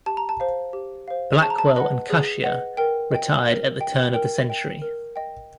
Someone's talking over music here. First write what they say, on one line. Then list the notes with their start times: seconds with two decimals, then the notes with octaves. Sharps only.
Blackwell and Cushier retired at the turn of the century.
0.06 G4 A5
0.17 A#5
0.29 A5
0.40 C5 F5
0.73 G4
1.08 C5 F5
1.42 G#4 A5
1.50 A#5
1.58 A5
1.76 B4 D#5 F#5
2.10 G#4
2.44 B4 D#5 F#5
2.77 A#4 G5
3.11 D#5 G5
3.45 A#4
3.80 D#5 G5
4.14 A#4 G5
4.48 D#5 G5
4.82 A#4
5.16 D#5 G5